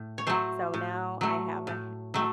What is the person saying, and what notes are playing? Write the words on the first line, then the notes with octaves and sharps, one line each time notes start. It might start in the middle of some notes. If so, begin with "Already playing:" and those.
So, now I have a h a
Already playing: A2
C#5
F#3 A3 C5
A2
F#3 A3
A2
F#3 A3